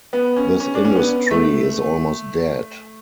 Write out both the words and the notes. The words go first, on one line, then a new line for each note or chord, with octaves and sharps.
This industry is almost dead.
B3
C#4
C#4
D4
C#4
B3
A3